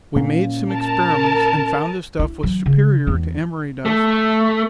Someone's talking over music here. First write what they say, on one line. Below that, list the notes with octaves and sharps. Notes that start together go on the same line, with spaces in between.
We made some experiments, and found the stuff was superior to emery dust.
A#2 A#3 C#4
A#4 A5
E4
E3 F#3
C#3
E2 G#3
A3